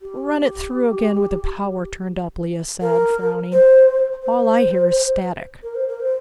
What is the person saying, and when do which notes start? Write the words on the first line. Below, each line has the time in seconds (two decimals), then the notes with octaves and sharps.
"Run it through again with the power turned up," Lea said, frowning. "All I hear is static."
0.02 G4
2.81 A#4
3.52 C5
4.23 C5
5.63 A#4
5.75 C5
5.88 A#4
6.00 C5